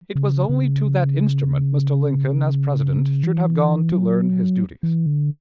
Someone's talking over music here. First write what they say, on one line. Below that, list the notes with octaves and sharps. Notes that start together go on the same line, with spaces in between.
It was only to that instrument Mr. Lincoln as President should have gone to learn his duties.
C#3
C#3
E3
F#3
E3
D3